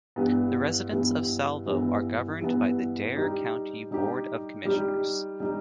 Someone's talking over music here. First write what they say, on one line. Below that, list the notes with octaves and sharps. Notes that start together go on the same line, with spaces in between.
The residents of Salvo are governed by the Dare County Board of Commissioners.
G2 E3 B3
G2 E3 B3
G2 E3 B3
G2 E3 B3
G3 D#4 G4
G3 D#4 G4
G3 D#4 G4
G3 D#4 G4